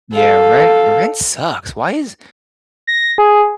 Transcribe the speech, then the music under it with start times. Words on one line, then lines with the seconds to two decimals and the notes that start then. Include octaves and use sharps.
Yeah. Rent your rent sucks. Why is
0.14 A4 F5
2.87 A#6
3.18 G#4